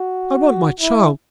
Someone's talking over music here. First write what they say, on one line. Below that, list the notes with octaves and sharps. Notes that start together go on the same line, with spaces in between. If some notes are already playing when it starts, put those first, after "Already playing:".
I want my child!
Already playing: F#4
E4